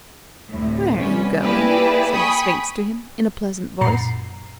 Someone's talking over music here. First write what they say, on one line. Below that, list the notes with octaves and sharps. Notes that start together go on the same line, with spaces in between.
"Where are you going?" said the Sphinx to him, in a pleasant voice.
D2 A2 C3
C3 G3 B3 C#4
A#3 E4 G4 G#4 B4 D5
G5 G#5 B5 C#6 D#6
F#2 A#2 A#5 C7